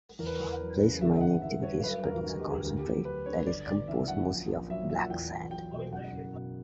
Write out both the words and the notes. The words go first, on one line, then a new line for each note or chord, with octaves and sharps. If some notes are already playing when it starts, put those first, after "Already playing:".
Placer mining activities produce a concentrate that is composed mostly of black sand.
E2 A#4
B4
A#4
E2
F#3
C#3
G1 E5
G1 F#5
E3 E5
G2 C#5
F#3 B4
E1 A#4
D3 F#4
G4
D2
D2 A#4
G4
D2
F#3 B4
D3 C#5
G1 D5
G1 D5
E3 E5
F#2 F#5
A#1
A#1
F#3 E5
A#2 E5
F#5
E2 G5
E2
F#3 G5
B2
F#1 F#5
F#1
B2